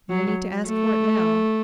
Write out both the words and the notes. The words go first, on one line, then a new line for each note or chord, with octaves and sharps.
No need to ask for it now!
F#3
A3